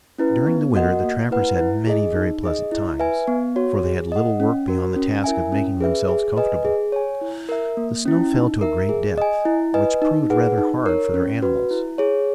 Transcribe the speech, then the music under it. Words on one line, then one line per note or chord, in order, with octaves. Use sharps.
During the winter the trappers had many very pleasant times, for they had little work beyond the task of making themselves comfortable. The snow fell to a great depth, which proved rather hard for their animals.
C#4 E4 B4
B3
F#4 A#4 D#5 F#5
A#3
E4 B4 F#5
E4
G#4 D#5
D#4
G#4 D#5
E4
B4 E5 G#5
B3
F#4 C#5
G#4
D#5 F#5
C#4
F#4 A#4
C#4
E4 A#4 E5 G#5
C#4
G#4 B4 E5
G#4
B4 D#5 G#5
G#4
C#5 G#5
E4
A#4 E5
A#3
C#4 E4
D#4
A#4 E5
G#4
D#5 G#5
E4
B4 D#5 G#5
D#4
G#4 B4 F#5
D#4
A#4 C#5
C#4
F#4 B4
E4
G#4 C#5